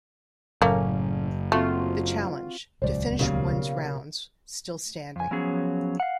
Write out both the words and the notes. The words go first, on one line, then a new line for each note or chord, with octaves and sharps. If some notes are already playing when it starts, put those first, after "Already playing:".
The challenge: to finish one's rounds still standing.
F#1 F#2 A2 A3 A#3 C#4
A3 C4 F4 F#4
D#1 C#2 F#3 C5 D5
B1 A#2 C#3 G4 F5
F2 G#5
F3 F#3 B3 C#4 G#4
F5 F#5